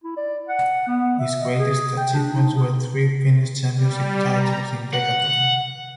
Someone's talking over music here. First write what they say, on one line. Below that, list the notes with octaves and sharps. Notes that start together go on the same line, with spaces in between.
His greatest achievements were three Finnish Championship titles in decathlon.
E4
D5
F#5
B3
E5
D#5
G#4
G5
D4
D#4
G#4
G3
A#5
F#5